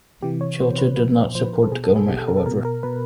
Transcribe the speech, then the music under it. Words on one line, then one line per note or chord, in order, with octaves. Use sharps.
Churchill did not support the government, however.
C3 E3 G4
C#5
C3 E3 C5
B4
A#2 F3 B4
C5
A#2 F3 C5
B4
A#4
A4
B2 G#4
A4
G#4
B2 G4
A4
A#4
A4
B2 A#4
A#4
B2 B4